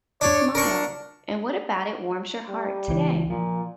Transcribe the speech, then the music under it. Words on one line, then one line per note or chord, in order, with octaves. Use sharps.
smile, and what about it warms your heart today?
D4 C#5
D4 A#4 C#6
G3
C#2 E3
A#2 F3